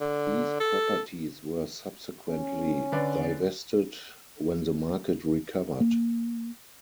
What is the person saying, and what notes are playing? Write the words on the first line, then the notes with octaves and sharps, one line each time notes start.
These properties were subsequently divested when the market recovered.
D3
A4
C#4
D3 B4 D5
A#3